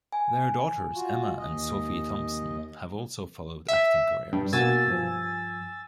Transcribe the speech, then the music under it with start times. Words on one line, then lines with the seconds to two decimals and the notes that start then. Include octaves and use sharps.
Their daughters Emma and Sophie Thompson have also followed acting careers.
0.12 G#5
0.94 F4 F#4
1.38 D#2 D#5
3.68 E5
4.33 G2
4.53 B2 A#3 F#4 G#5 E6 A6
4.87 G2 F3